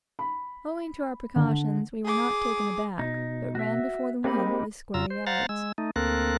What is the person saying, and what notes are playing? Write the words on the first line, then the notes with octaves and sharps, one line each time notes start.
Owing to our precautions, we were not taken aback, but ran before the wind with square yards.
B5
D3
G#4 D6
B2 D#4
F#4 E5
G#3 A#3 C4 D#4 G4 B5
F2 C#3 F4 A#5 E6
C5
C5 F5 F#5 A#5 A6
G#3 E6
A3 D#4
D2 A#3 C4 A4 A#4 F#6